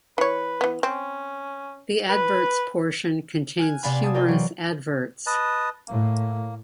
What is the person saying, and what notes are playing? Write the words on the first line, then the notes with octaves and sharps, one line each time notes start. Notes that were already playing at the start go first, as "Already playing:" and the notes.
The "Adverts" portion contains humorous adverts.
E3 B4 C#5
E3 B3
C4 C#4
B4
G#5 F6 F#6 G#6
C3 B3 D5 F5 G#5 B5
G#5 A5 D#6
A#4 C5 D5 D#5 G5
E3 F#3
B4 D#5 A5
A2 A#3